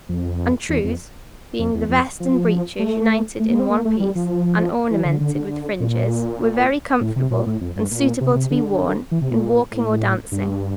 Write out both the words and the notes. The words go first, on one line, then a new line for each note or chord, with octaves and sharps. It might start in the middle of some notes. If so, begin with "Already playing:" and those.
And trews being the vest and breeches united in one piece, and ornamented with fringes, were very comfortable, and suitable to be worn in walking or dancing.
F2
E2
F2
F2
E2
F2
F3
A3
A3
A#3
C4
A#3
A3
G3
F3
E3
D3
D3
D3
A#2
A2
C3
A#2
A2
F2
G2
A#2
C3
C3
D3
E3
C3
A#2
A2
G2